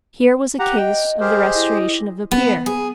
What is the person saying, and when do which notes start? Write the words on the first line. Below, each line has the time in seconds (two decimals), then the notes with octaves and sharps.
Here was a case of the restoration of a peer.
0.59 G4 F#5 A#5
0.78 D#5 G5
1.20 G4 G#4 A#4 C5
1.55 E4 D#5
2.31 B3
2.66 G#4